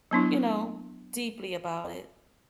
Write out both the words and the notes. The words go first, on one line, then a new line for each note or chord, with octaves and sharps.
you know, deeply about it.
F#3 B3 D4 E4